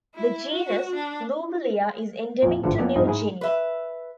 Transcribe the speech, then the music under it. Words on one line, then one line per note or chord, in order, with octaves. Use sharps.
The genus "Lobulia" is endemic to New Guinea.
E4
F#4
D4
F2 A#2
G#1 A2 D3 E3 F3 A4
F2 A#3 B3 C#4 A4 D5
E2 G2 F3 D#4 G#4
G#2 E4 G#4
B4 E5